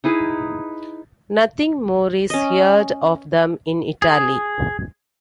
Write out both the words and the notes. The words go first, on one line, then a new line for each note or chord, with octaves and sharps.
Nothing more is heard of them in Italy.
D#4 E4 G#4 B4
C#4 D#5
G#4